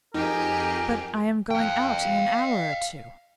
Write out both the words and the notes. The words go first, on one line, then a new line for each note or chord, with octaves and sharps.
But I am going out in an hour or two.'
F2 D#4 G4 G#4 A#4
F5 G5